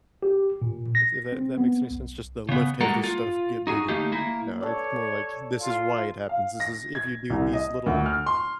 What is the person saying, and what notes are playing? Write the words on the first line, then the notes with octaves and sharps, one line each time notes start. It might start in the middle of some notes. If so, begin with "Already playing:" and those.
If th that, that makes any sense, just the "Lift heavy stuff, get bigger." No, it's more, like, "This is why it happens; this is if you do these little
G4
A#2
A#6
C4
B3
B1
C#3 B3
G3 G#3 A#3 F#4 A4 A#4
F4
D#4 F#4 G#4
D3 A3 A#3 D#4 G4 G#4
A#3 E4
A4 C#5 D5
F4
F5
A#6
G#6
C2
D#5
D2
F6
C6